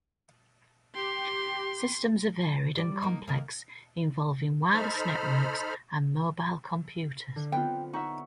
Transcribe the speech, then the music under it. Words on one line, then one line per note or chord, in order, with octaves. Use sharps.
Systems are varied and complex, involving wireless networks and mobile computers.
G4 C6
G3 D5
A#3 D#4
D#3 A#3
D#4 A4 C5 B5 F6
D3
B3 C4 F4 G5
D#4 E5 F#5 C#6